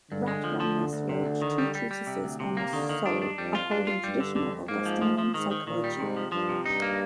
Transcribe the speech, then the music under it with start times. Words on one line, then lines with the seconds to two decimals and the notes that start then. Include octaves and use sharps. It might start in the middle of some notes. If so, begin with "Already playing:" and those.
Ratramnus wrote two treatises on the soul, upholding traditional Augustinian psychology.
0.11 G2 D3
0.28 G#3
0.44 F3
0.60 F3
0.77 D2
0.93 D2
1.09 C3
1.26 D2
1.41 D#3
1.58 G3
1.75 G3
1.91 G3
2.07 C3
2.24 D2
2.40 C3
2.57 A#3
2.72 D3 D#3
2.89 D#3
3.05 G2 D4
3.22 D4
3.38 F2 G3
3.55 F4
3.71 G2 D4
3.87 F4
4.04 G2 G3
4.20 D3
4.36 D3
4.52 F2
4.68 G#2 A#3
4.86 F3
5.01 F3
5.18 F3
5.34 G#2 D#3
5.51 D#3
5.67 A#2 D#3
5.84 G3
6.00 G#2 C3
6.17 F3
6.32 G2 F3
6.49 C3
6.65 G2 D#4
6.82 A#3